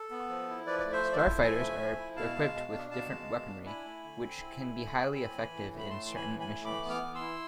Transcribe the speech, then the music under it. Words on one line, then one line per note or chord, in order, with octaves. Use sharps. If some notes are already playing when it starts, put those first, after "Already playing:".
Starfighters are equipped with different weaponry which can be highly effective in certain missions.
Already playing: A4
B3
F3
E4
F3 B4 D5
D5
A3
C5 E5
F3
D5
C5 E5
E4
F3 E5 G#5
A3
F3
E4
B2 F5 A5
G#3
B2
D4
B2 F5 A5
G#3
B2
D4
E4 G#5 B5
A3
D3
C4
E4
A3
D3
C4
A2
E3
A2
A3
B5
A2 A5 C6
E3 C6
G#5 B5
A2
G#5 B5
A3
E3 B5 D6
B3
D6 F6
E3
C6 E6
E4